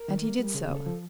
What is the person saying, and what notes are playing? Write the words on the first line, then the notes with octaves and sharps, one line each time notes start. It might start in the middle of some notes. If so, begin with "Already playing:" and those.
And he did so.
Already playing: A#4
D#3
A#3
G3
C#3 G#4
C#3
A4
F3